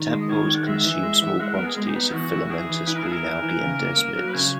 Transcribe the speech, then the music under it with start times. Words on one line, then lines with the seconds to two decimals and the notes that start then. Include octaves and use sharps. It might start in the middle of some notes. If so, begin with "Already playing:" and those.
Tadpoles consume small quantities of filamentous green algae and desmids.
Already playing: D#3
0.11 G#3
0.21 D#5
0.29 D#3 C#5
0.48 D#3
0.56 F#5
0.66 G#3 E5
0.84 E3
1.03 G#3
1.21 E3
1.40 G#3 F#5
1.53 B3 A#4
1.65 G#4
1.76 G#3
1.89 D#4
1.96 B3
2.13 E3 F#4
2.32 E4
2.44 F#4
2.50 E4 G#4
2.69 E3
2.87 E4 B4
2.96 A#4
3.03 E4 G#4
3.12 A#4
3.24 E3
3.43 E3
3.61 C#3
3.80 A#3
3.97 A#3
4.16 F#3
4.28 B4
4.34 C#3 C#5